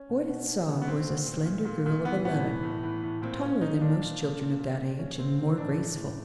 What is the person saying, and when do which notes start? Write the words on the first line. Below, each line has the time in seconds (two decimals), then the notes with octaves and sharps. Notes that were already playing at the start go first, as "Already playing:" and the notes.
What it saw was a slender girl of eleven, taller than most children of that age, and more graceful.
Already playing: C#4
0.09 B2
0.29 B2
0.48 B2
0.68 B2
0.82 B3
0.88 A#2 C4
1.08 A#2
1.26 A#2
1.46 A#2
1.65 A#2
1.86 A#2
2.04 E3 B3
2.25 A2 B3
2.44 E3
2.63 A2
2.83 E3
3.03 A2
3.22 A#2 C4
3.41 A#2 C#4
3.61 A#2 D#4
3.81 A#2 D4
4.01 A#2
4.21 A#2
4.40 A#2
4.59 A#2
4.79 A#2
4.99 A#2 C#4
5.18 A#2 C4
5.38 A#2 C4
5.57 A2 D4
5.77 E3
5.97 A2